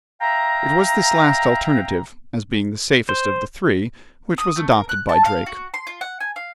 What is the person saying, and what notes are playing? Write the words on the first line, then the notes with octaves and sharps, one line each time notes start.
It was this last alternative, as being the safest of the three, which was adopted by Drake.
E5 F5 G5 A#5
C5
D#6
A3
A#4
F#6
A5
F5
F#4
C6
F4
F#5
G#5
F5